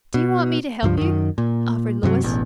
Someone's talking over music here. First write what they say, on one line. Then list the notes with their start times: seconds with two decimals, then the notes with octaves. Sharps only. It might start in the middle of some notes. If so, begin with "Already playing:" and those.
"Do you want me to help you?" offered Louis.
0.14 B2
0.83 C#2 G2 F3
0.98 F#2 D#3
1.38 A#2
2.03 G2 C3 E3 F#3
2.22 E1 A1 E2